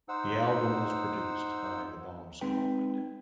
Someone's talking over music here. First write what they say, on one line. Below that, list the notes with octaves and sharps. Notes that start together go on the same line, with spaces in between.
The album was produced by the Bomb Squad.
D#4 C5 F#5 E6
G#3 C4 D#4 B4 G5